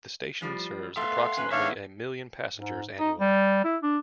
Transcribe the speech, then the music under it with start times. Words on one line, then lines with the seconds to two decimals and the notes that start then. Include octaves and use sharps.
The station serves approximately a million passengers annually.
0.41 A2 F3 G3
0.97 A3 B3 E5 F5 C6
1.37 C#4 B4 A#5
1.51 D#3 B3 D4 C#5 E5 F5
2.56 G#2
2.99 D#4
3.20 G3
3.65 E4
3.82 D4